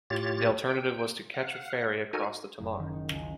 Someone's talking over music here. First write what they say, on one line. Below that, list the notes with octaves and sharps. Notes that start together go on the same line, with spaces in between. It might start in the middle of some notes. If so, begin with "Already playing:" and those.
The alternative was to catch a ferry across the Tamar.
A2 F4 G4 C#5 A6
G5
F5 F#5
D#4 F#4 A4 A#4 G#5
G#6
F#1
D#3
D#4
C#2
C6